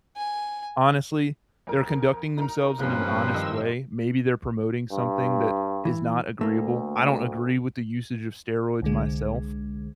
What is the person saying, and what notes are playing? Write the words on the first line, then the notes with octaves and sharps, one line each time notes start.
honestly, they're conducting themselves in an honest way. Maybe they're promoting something that is not agreeable. I don't agree with the usage of steroids myself.
G#5
F2 A#4
D#4 A#4 A#5
G2 C3 F3 A#3 C#4 B4
D#3 D#5 E6
G2
E3
D2 A3 A#3
C2 D3 G#3